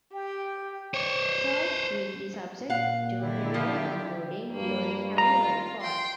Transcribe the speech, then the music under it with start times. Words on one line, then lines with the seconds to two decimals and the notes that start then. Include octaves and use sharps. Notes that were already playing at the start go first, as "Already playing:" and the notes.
Salt Creek is subject to periodic flooding during heavy rainfall.
0.13 G4 G5
0.94 C5 C#5
2.70 A#2 F5 F#5
3.20 D3 F#3 E4 G4
3.54 F3
4.51 G2 A#3
5.18 F4 A#5
5.81 G5 C6